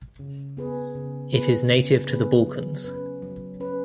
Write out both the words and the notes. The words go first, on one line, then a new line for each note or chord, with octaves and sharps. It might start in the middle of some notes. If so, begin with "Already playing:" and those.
It is native to the Balkans.
C#3
B3 G#4 B4
C#3
B3 G#4 B4
C#3
B3 G#4 B4
F#3
C#4 B4
F#3
C#4 B4